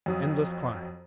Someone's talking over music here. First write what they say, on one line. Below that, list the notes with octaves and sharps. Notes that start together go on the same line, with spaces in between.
Endless climb.
F2 F#3 D#6